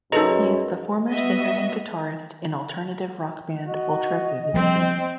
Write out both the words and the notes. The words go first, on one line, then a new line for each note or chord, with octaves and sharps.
He is the former singer and guitarist in alternative rock band Ultra Vivid Scene.
F#2 D#4 G#4 A4 B4 D#5 A#5
G3 B3 F#4 D#5 E5
F#4 D#5
F3 G3 C4 G5